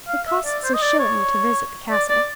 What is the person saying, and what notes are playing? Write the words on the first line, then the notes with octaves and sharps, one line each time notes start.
It costs a shilling to visit the castle.
F5
E5
D5
C5
D#5
D5
C#5
D5
D5